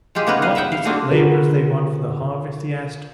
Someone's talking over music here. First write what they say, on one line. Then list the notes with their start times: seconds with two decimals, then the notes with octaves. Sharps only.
"What, is it laborers they want for the harvest?" he asked.
0.15 G#3 F4 G4 G#4
0.27 C#3 A#3 B3 D#4 A#4 B4
0.42 B4 D#5 F5
0.55 B4 E5 F#5 G5
0.72 F5
0.85 A#3 C4 D4 F#4 G#4
1.11 D3 F4 F#4 G#4 A#4 B4